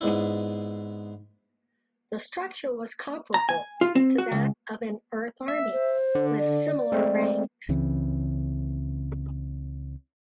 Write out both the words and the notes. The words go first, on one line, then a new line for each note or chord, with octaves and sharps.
The structure was comparable to that of an Earth army, with similar ranks.
G#2 G#3 B3 D4 E4
A#5
G#5
F4
C4
F#4
C#2
E5
C5
D3
D5
G#3 A3 C4
C#2 C#3 E3 C4